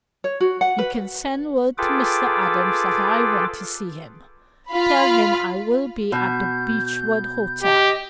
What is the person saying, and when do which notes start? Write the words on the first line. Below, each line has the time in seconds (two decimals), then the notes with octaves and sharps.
You can send word to Mr. Adams that I want to see him. Tell him I will be at the Beechwood Hotel.
0.24 C#5
0.40 F#4
0.61 F#5
0.78 B4
1.78 F4 G#4 A4 B4 G5 D6
4.71 F4 F5 B5
6.12 B2 G6
7.63 G4 D#5